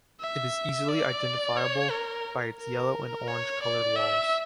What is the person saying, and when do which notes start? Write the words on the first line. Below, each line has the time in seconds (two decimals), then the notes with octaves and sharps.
It is easily identifiable by its yellow and orange coloured walls.
0.20 E5
0.89 D5
1.57 C#5
1.91 A#4
2.60 A#4
3.28 C#5
3.63 D5
3.97 E5